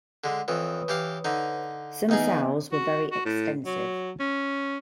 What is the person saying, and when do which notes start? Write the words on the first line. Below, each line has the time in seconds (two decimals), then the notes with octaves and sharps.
Some soughs were very extensive.
0.24 D3 G#3
0.48 F2 E3 B4 C#5 D#6
0.88 E3 G4 F5
1.25 D3 D#4
2.09 E2 B3 D#4 G#4 D#5 G#5
2.72 F#4
3.11 F#4
3.25 A2
3.65 F#3
4.20 C#4